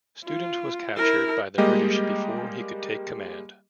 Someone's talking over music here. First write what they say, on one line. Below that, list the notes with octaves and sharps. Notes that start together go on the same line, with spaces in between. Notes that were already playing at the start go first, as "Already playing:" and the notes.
Student was captured by the British before he could take command.
F4
E4 A#4
G3 G#3 A#3 G4 D#5